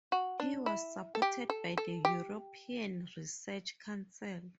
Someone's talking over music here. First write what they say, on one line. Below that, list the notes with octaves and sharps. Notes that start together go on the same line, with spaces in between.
He was supported by the European Research Council.
F#4
D4
E4
A4
G4
A4
A4
G4